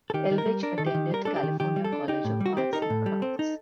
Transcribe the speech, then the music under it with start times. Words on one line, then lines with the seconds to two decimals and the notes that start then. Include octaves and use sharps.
Elvidge attended California College of Arts and Crafts.
0.10 A4
0.14 D#3 G4
0.31 D#3
0.38 A#4
0.46 G3
0.63 D4 A#4
0.78 D#3 A4
0.86 G4
0.94 D#3
1.11 G3 A#4
1.25 D4 A4
1.36 G4
1.43 D#3
1.60 D#3 G4
1.76 G3
1.84 A4
1.92 D4
2.08 D#4 G4
2.25 A2
2.40 G3
2.46 F#4
2.57 C4 G4
2.73 D#4 A#4
2.82 A4
2.90 A2
3.06 G3
3.22 C4
3.39 D#4